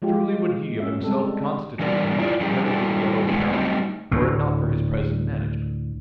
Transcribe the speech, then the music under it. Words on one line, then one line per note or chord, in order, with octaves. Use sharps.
Truly would he of himself constitute the much-heralded Yellow Peril were it not for his present management.
F3 G#3 F4 G4
C#4 E5
G3 G#3 C4 A4
E3 G3 D4 A#4 D5
E4 F4 D5
F3 G3 C#4 G4 G#4 A#4
G3 D4 E4 F#4 A4
B2 D3 G#3 A3 B3
F#3 G3 A3 C4 D#4
D2 A2